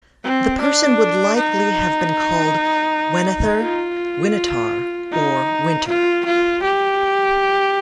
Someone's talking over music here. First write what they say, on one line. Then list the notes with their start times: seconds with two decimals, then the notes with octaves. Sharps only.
The person would likely have been called "Wenether", "Winitar" or "Winter".
0.24 C4
0.61 D4
1.36 D#4
3.62 F4
5.12 D#4
5.87 F4
6.25 F4
6.63 G4